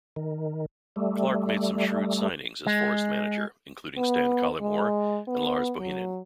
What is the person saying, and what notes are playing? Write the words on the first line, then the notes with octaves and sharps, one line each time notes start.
Clark made some shrewd signings as Forest manager, including Stan Collymore and Lars Bohinen.
D#3
G3 A3
G#3
B3
G#3
B3
F#3